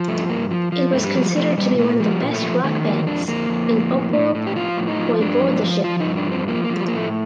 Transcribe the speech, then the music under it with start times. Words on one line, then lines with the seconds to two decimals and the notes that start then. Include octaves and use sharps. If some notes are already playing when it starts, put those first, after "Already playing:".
It was considered to be one of the best rock bands in Opole Voivodeship.
Already playing: F3
0.08 G2 A3
0.29 G2 A#3
0.51 F3
0.72 F3
0.93 G2 A3
1.04 G3
1.15 F3
1.36 F3 A3
1.58 A#2 G3
1.79 A#2 A3
2.00 F3 G3
2.21 A#2
2.32 A3
2.43 F3
2.64 D#3 A3
2.85 F2 A#3
3.07 F2 D4
3.28 F2 A#3
3.49 F2
3.71 F2
3.92 A2
4.13 A2
4.35 A2
4.47 G4
4.56 F3 F4
4.77 A2
4.88 D#4
4.99 F3
5.20 G2 D4
5.41 F3
5.63 F3
5.84 F3 F4
6.00 D#4
6.05 G2
6.16 D4
6.26 F3
6.32 C4
6.48 F3 A#3
6.64 A#3
6.69 F3
6.76 A3
6.79 G3
6.88 A2 A#3
6.96 A3